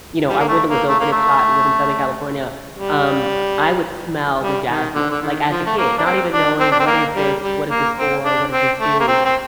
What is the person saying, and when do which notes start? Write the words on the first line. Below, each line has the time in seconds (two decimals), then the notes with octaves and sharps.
you know our window was open, it's hot, we live in Southern California um, I would smell the jasmine, like as a kid, not even knowing, "What is this what is this for, what does this do,"
0.28 G3
0.39 A#3
0.48 A3
0.69 A#3
0.89 A3
1.00 A#3
1.12 A3
2.75 G3
4.40 G3
4.68 D#3
4.95 D3
5.10 D3
5.22 D#3
5.50 F3
5.66 A3
5.78 A#3
5.98 D4
6.05 C4
6.33 D4
6.60 C4
6.71 D4
6.80 C4
6.87 A#3
7.16 G3
7.42 G3
7.69 A#3
7.97 C4
8.25 D4
8.52 C4
8.80 A3
9.00 A#3
9.07 C4
9.25 C4